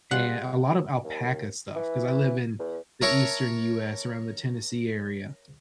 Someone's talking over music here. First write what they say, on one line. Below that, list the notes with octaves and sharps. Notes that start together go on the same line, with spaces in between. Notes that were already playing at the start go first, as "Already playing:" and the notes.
And a lot of alpaca stuff 'cause I live in the Eastern US around the Tennessee area.
G3 F4 G#4 F#5
D#2
E3
E2
A#4 C#5 E5 A5 A#5